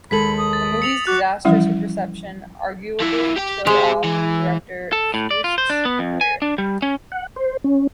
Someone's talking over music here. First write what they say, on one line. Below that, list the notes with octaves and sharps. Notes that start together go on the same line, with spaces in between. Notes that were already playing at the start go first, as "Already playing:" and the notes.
The movie's disastrous reception arguably killed off director Fuest's career.
D#2 G#3 A4 B5 B6 F#7
D#6
A6
C#7 F7 F#7
F#4 D6 F#6
E3 F3 G3 C#4 E4
F3 E4
G4 G5
G#3 G4 C5
E3
A4
A2
D5
F4
C5
D4
B3
F2
G#5
D4
G3
C#4
F#5
C5
C#4